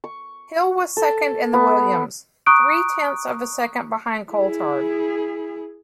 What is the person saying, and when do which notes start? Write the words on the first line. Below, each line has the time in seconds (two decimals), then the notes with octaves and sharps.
Hill was second in the Williams, three-tenths of a second behind Coulthard.
0.04 C#6
0.97 A4
1.54 B3
2.46 A#5 C#6 D#6 F#6 D7
4.32 E4 G#4